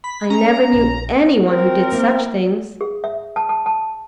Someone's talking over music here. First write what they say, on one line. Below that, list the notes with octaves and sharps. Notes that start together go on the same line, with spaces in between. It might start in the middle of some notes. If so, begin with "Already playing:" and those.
"I never knew any one who did such things."
B5 B6
C#4 A#5
A#1
C4 A#4
A#3 E4
G#4
E5
A5
A5
A5